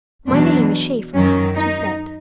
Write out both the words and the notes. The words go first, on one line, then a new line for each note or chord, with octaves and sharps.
"My name is Shaeffer," she said.
E2 B2 F#3 D4
F#2 D#3 F#3 C#4
D#4